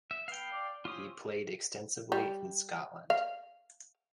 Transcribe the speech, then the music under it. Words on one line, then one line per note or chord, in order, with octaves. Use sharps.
He played extensively in Scotland.
E5
B3 F5 G5
D5
C4 C#4 F4 G4 D#6
G3
F5